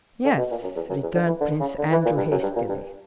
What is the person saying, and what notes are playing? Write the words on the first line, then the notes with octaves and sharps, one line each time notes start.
"Yes," returned Prince Andrew hastily.
D3
B2
A#2
F#2
E2
F#2
E2
D3
E3
D3
C#3
D3
E3
A#2
G2
F#2
G2
A#2
G2